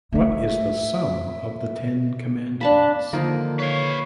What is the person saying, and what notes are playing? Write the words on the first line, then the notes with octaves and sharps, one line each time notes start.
What is the sum of the ten commandments?
A3 D#4 E5
D4 F5 A5 B5
D3 D#3 F3 A#3
B4 C#5 F5